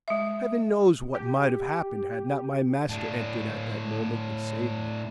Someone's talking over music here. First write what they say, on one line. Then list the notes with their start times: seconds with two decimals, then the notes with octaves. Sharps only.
Heaven knows what might have happened had not my master entered at that moment and saved me.
0.08 G#3 E5
1.15 G4
2.89 A2 D4